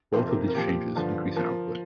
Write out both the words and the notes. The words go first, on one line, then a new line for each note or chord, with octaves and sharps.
Both of these changes increase output.
F2 C3 F3 C5
A#4
A#4
A#2 F3 G4
G2 D3 F3
F3 A#4